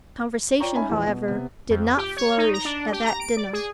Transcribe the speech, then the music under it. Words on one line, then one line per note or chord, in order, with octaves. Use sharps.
Conversation, however, did not flourish at that dinner.
F4 C#5 D5 G5 A#5 C#6
C#4 D#4 E5 G#5 B5
A#1 E2
B2
C3 B3
F2
G4
C#5
D#4
A#5
D4
G4
A#5
D7
D5
G#4